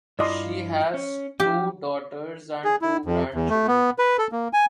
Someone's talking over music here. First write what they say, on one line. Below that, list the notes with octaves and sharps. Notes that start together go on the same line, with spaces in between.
She has two daughters and two grandchildren.
G2 E4 F4 D5 D#5 C6
C#4
F3 G4
G#4
E4
F2
E2
A3
B3
B4
A4
A#3
G#5